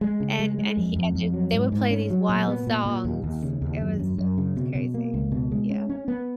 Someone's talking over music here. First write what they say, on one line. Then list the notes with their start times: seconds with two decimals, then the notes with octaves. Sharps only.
and and he and j they would play these wild songs, it was it was crazy. Yeah.
0.01 G#3
0.20 C#3
0.40 G#3
0.58 G#3
0.77 F2
0.96 F2
1.15 F2
1.34 F#3
1.53 G#2
1.72 G#2
1.91 C#4
2.10 F#3
2.29 A#2
2.48 B3
2.67 A#2
2.86 A#2
3.05 D#2
3.24 D#2
3.43 C#3
3.62 D#2
3.81 F#2
3.99 F#2
4.18 F#2
4.38 C#3
4.57 B2
4.75 B2
4.94 A#3
5.14 C#2
5.32 B2
5.52 G#3
5.70 C#4
5.89 C#4
6.08 B3